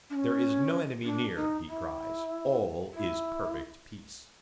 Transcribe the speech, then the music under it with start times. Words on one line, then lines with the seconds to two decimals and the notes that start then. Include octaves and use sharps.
"There is no enemy near," he cries, "all is perfect peace!"
0.09 D4
0.14 C#4
1.04 D4
1.35 D#4
1.67 E4
2.93 E4